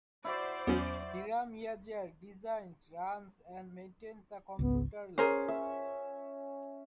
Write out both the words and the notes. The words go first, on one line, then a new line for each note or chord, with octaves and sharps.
Hiram Yeager designed, runs, and maintains the computer lab.
E4 F#4 C5 D5
E2 F#3 B3 C#4
G#1 C#2 B3
C#4 G#4 A#4 C5
E5